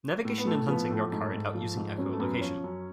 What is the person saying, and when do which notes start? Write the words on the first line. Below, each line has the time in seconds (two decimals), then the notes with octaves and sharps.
Navigation and hunting are carried out using echolocation.
0.25 A2
0.38 B3
0.46 A2 A3
0.68 F3 B3
0.90 A2 A3
1.12 G#2
1.34 G#2
1.55 F3
1.77 G#2
1.98 F#2 C#4
2.05 B3
2.12 A3
2.19 F#2 B3
2.41 F3 C#4
2.64 F#2